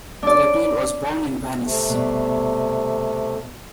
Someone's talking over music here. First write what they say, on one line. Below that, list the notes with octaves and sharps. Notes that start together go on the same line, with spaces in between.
Gabrieli was born in Venice.
D4 D5
C3 A3
B2 G3